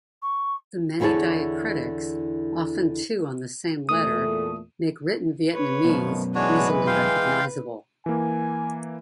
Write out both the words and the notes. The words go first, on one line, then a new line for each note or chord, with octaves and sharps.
The many diacritics, often two on the same letter, make written Vietnamese easily recognizable.
C#6
E2 D3 E4 G#4 C#5 A5
E2 A#2 A3 D#6
B4 C#5
F#2 B2 D#3 F3
E3 G#3 D4 F#4 B4 C#5
F5 G5 C6
E3 A#3 G#5